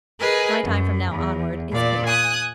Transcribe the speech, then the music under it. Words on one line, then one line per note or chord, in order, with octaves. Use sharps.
My time from now onward is his.
G#4 A#4 B4 D#5 G#5
F#2
E2
A#2 D5
G#5 D#6 F#6